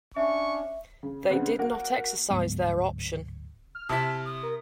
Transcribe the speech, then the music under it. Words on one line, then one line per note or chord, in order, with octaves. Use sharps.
They did not exercise their option.
C#4 D4 E5 C#6
C#3
C#3 B3 C4 D4
A#3 F#4
D1 G#2 G#3 B3
F6
C3 E4 A5 B6
D#6
A#4